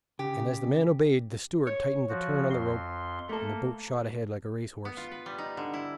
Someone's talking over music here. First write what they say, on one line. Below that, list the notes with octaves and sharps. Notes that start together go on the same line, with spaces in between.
And as the man obeyed, the steward tightened the turn on the rope, and the boat shot ahead like a race-horse.
C#3 G4
C#5
F3 F#4
F2 C6
A3 A#3 A4
B3
F4
B4
G3
D#4
D3
E4